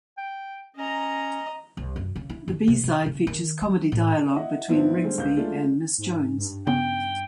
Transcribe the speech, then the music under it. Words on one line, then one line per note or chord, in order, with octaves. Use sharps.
The B-side features comedy dialogue between Rigsby and Miss Jones.
G5
C#4 D#5 A#5
C2
F#2
C#3
E4
D3
C3
C3
C#3
D#3
F#3
A2
E4 D#5 E5 F#5
G#2 F3 B3 C4 D4 E4
D3 G3 G#3 C4
C#2 G6
G#3 A3 D4 E4 F4
G#2
G2
C#3 B3 C#4 G5